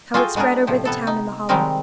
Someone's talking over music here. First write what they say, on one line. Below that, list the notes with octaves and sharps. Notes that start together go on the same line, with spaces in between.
How it spread over the town in the hollow!
F4 F#4 G#4 A4 G5 G#5
G#3 B3 D4 G#4 A#4
A2 C3 F3
C3 B3 A4
D#4
D#3 G3 G#3 C4 D#4 A#4